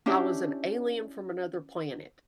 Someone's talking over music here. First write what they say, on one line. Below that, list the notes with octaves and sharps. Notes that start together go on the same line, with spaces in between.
I was an alien from another planet.
C#4 D4 E4 G4